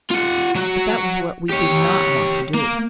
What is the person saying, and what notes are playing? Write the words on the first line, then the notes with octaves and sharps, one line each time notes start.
But that was what we did not want to do.
F4 F#5
F#3 F#4
G4 C#5
A#3